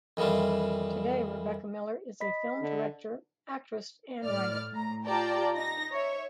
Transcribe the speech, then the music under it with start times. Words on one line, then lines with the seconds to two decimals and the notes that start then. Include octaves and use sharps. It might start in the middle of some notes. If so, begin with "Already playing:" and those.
Today Rebecca Miller is a film director, actress, and writer.
0.17 F2 D#3 E3 G3 F4
2.21 D#5 B5 B6
2.61 D3
4.24 A2 D5 F6
4.72 A2 A#5
5.05 F4 G4 D5 G5 A5 A#5
5.56 D#4 A#6
5.92 C#5 E5